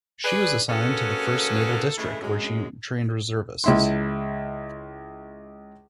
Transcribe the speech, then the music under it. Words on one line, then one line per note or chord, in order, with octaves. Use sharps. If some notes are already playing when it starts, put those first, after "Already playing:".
She was assigned to the First Naval District where she trained reservists.
G#4 B4 D5
A#3 C#4 F#4 G#4 A4 B4
C#3 E3 G#3 A3
F#2 G#3
C#2 E4 C6